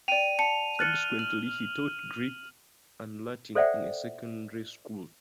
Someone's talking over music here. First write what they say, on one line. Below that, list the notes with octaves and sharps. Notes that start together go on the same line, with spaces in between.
Subsequently he taught Greek and Latin in a secondary school.
D5 G5 D#7 F7
A5 C#7
F6 F#6 A6 C#7 F#7
F6 F#7
A4 C5 D5 E5 F#5 G5